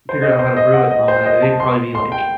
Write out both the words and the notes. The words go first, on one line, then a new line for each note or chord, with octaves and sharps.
figured out how to brew it and all that and they'd probably be, like,
C5
D#5
C5
D#5
F#5
D#5
C5
D#5
A5
C6
C6
G5